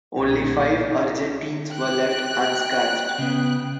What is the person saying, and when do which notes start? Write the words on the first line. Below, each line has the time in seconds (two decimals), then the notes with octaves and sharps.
Only five Argentines were left unscathed.
0.17 B1 A#2
1.70 G5 F#6
3.18 C#3 B3